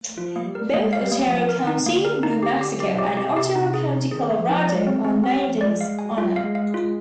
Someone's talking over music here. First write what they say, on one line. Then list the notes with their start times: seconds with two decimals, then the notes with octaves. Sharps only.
Both Otero County, New Mexico and Otero County, Colorado are named in his honor.
0.18 F3 F4
0.36 A#3
0.46 G3
0.55 A#4
0.74 G#3 A#3
0.93 F5
1.02 G3
1.12 A#3
1.30 F3 A#3
1.49 A#4
1.58 D#3
1.67 D#4
1.86 D3 A#3
2.05 A#4
2.23 D#4
2.43 G4
2.61 G4
2.80 G4
2.98 C3 G4
3.17 G4
3.37 G4
3.55 D#4
3.74 G#4
3.93 D#4
4.11 D#3 G#4
4.30 A#3
4.39 F3
4.49 D#4
4.67 G#3 D5
4.87 C4
4.96 G#3
5.05 C4
5.24 G3 C4
5.43 C4
5.52 F3
5.61 D5
5.80 G#3 F5
5.99 G#5
6.18 F4
6.36 G#3 F5
6.55 F5
6.74 F4